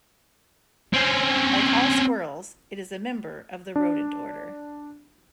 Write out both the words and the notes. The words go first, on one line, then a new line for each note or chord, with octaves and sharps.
Like all squirrels, it is a member of the rodent order.
C4 C#4
D4